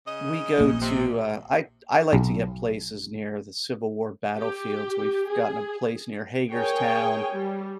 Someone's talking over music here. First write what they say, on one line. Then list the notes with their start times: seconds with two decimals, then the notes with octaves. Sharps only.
We go to, uh I I like to get places near the Civil War battlefields. We've gotten a place near Hagerstown,
0.07 C#3 D#5
0.57 A#1 A#3
0.81 C3
2.13 B1
4.38 G4
5.31 G#4
6.51 G#4 A#4 C#5 G5 G#5
7.33 G3